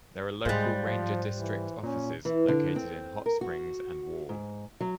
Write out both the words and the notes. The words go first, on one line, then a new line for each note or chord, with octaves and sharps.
There are local ranger district offices located in Hot Springs and Wall.
G#2 G3 G#3 F4 C5 F#6
F3
E3
A#2 C#4
E3
D3
C4
A#4
F#4
G#2
F#3